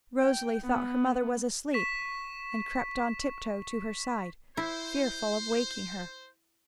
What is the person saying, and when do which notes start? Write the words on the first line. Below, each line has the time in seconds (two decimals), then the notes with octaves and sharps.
Rosalie thought her mother was asleep, and crept on tiptoe to her side, fearful of waking her.
0.20 G5
0.63 B3
1.73 C#6 B6 E7
4.57 E4 C5